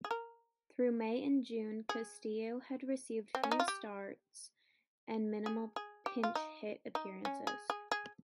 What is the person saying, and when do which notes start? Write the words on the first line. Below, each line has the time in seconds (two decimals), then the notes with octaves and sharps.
Through May and June, Castillo had received few starts and minimal pinch hit appearances.
0.04 G#4
0.11 A#4
1.89 G#4
3.35 C4
3.43 C#4
3.51 D#4
3.60 F4
3.68 G4
5.46 G#4
5.76 G#4
6.06 G4
6.23 F4
6.35 D#4
6.95 D#4
7.25 C#4
7.47 G#4
7.70 G#4
7.91 G#4